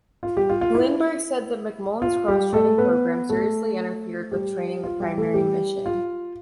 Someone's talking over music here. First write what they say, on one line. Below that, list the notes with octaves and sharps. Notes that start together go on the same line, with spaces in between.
Lindbergh said that McMullen's cross-training program seriously interfered with training the primary mission.
F4
G3 G4
F4
F4
E4
F4
G3 G4
A3 A4
B3 B4
A3 A4
G3 G4
F4
G3 G4
A3 A4
G3 G4
F4